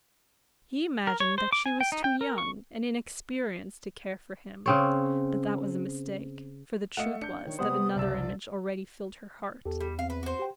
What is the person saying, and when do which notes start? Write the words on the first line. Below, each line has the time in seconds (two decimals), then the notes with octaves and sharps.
He imagined that she was too young and inexperienced to care for him; but that was a mistake, for the truth was that another image already filled her heart.
1.07 A#4
1.20 C#5
1.38 C5
1.53 D6
1.66 G#5
1.81 G5
1.92 D#4
2.04 G5
2.21 A#4
2.38 C#6
4.66 C#3 C4 C#5
6.97 A3 D#5 F5 F#5 C#7
7.22 D4 G6 C#7
7.46 D#3 C#5
7.59 C3 G3 B3 C5 F#5 D#6
7.95 F#1 C2 D5 E6
9.65 E2 G4 A4
9.80 G3
9.99 C4 F5
10.10 B4
10.23 F#4 C5
10.39 G4 G5